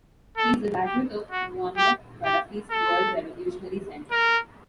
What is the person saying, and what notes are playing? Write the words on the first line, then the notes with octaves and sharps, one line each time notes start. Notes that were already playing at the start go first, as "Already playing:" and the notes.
He is a graduate of Muammar Gaddafi's World Revolutionary Center.
A4
G4
F#4
G4
G4
A4
A#4